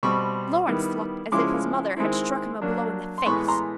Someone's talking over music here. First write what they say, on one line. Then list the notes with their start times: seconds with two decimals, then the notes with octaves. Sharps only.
Lawrence looked as if his mother had struck him a blow in the face.
0.03 B2 G3 C4 B5 C#6
0.67 D#3 G3 B3 E4
1.32 C#3 F3 G#3 C#4 E4 C6 D6
1.97 D#3 G#3 C4 E4
2.62 F#3 A#3 D4
3.18 C6
3.26 A2 E3 G#3 B3 B5 C#6
3.48 A#5 C6